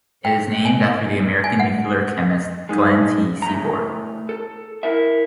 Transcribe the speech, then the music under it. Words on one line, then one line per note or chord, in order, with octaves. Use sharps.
It is named after the American nuclear chemist Glenn T. Seaborg.
G5
G#5
G#5
F#5
G#3 D#4
A2 A#5
A4
E4 A#4 E5